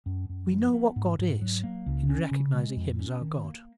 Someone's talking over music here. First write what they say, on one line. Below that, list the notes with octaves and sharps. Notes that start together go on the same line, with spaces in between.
We know what God is in recognizing him as our God.
F#2
F#2
F3
B3
G#2
G#2
F#3
A#3
C#2
C#4
C#3
G#3
F2
C#4
D#3
A#3